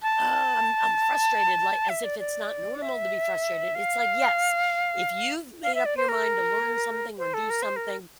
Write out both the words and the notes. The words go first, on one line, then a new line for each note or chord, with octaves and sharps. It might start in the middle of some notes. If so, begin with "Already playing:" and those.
"Ugh, I'm I'm frustrated." Like, as if it's not normal to be frustrated. It's like, "Yes. If you've made up your mind to learn something or do something"
A5
E5
D5
D5
E5
F5
F5
E5
D5
C5
A#4
C5
A4
A#4
C5
A#4